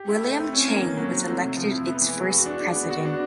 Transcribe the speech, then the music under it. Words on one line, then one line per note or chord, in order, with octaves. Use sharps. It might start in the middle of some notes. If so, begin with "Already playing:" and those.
William Chang was elected its first president.
Already playing: G4
E4
A3
C4
C#4
A#3
D#3
F#3
C4
A3
C3
F3
E4
B3
E3
G#3
F#4
D4
G#3
B3
F#4
D4